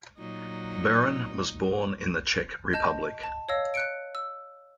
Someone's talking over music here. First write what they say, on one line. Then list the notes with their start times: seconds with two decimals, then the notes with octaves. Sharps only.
Beran was born in the Czech Republic.
0.18 A#2 F#3 D#4
2.73 D#5 A5 G6
3.23 A5
3.49 C#5 D#5 F5 E6 A#6
3.74 F#6 C#7 D7
4.15 E6